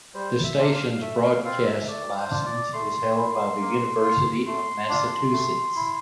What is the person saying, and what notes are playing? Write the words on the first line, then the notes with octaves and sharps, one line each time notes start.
The station's broadcast license is held by the University of Massachusetts.
G3 C5
E5
A#3 D4 F4
F5
F5
A3 E5
F5
C4 F4 F5
E5
A3 D5
C5
D4 F4
D5
A3 C6
E4
A#3
F4
A3 C6
D4 F4
A3
E4